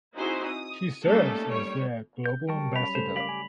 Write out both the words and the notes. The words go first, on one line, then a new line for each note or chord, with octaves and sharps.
She serves as their Global Ambassador.
C4 D#4 E4 F#4 G#4 C5
D#6
G3 A3 A#3 C#4 D#4 A4
G3 C#5
G6
F#3 G3 A#4 G5 A5 C#6
G3 C#4 B5 B6 F7
C#3 G3 A3 A4 C5
C#4 G4 A#4 F5 D6 B6 F#7
G#5